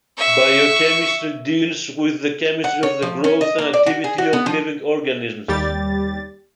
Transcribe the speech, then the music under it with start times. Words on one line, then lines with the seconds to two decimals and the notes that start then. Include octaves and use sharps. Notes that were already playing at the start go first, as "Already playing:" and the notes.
Biochemistry deals with the chemistry of the growth and activity of living organisms.
0.18 E5 C#6
2.64 F#5
2.83 C#5
3.02 F3
3.24 C#4
3.41 D#5
3.58 A#3
3.73 D5
3.86 F#4
4.04 G#4
4.18 F#4
4.33 B3
4.46 F3
5.48 D#2 G3 G4 A6